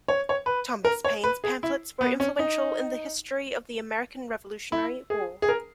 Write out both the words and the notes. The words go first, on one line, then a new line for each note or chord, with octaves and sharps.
Thomas Paine's pamphlets were influential in the history of the American Revolutionary War.
C#5
C#5
B4
A#4
C#5
B4
G#4
E4
B3
C#4
D#4
E4
G#4
G#4
A#4